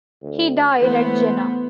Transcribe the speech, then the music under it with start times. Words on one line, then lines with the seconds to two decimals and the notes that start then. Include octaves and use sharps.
He died at Jena.
0.22 D2
0.81 E3 A3 B3 C5